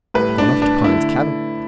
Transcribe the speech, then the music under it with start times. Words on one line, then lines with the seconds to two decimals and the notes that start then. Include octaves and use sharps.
Gone off to Pine's cabin!
0.14 A2 G3 B4
0.38 D4
0.62 D4
0.84 D3 A3 E4